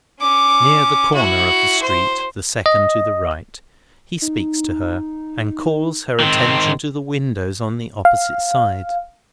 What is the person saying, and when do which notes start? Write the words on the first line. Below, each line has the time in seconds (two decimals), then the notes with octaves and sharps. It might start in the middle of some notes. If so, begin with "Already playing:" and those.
Near the corner of the street the second to the right, he speaks to her, and calls her attention to the windows on the opposite side.
0.20 C#4 D6
1.14 E4 F#4
1.82 C5
2.66 D#5
4.22 D#4
6.20 D#3 C4
8.05 F5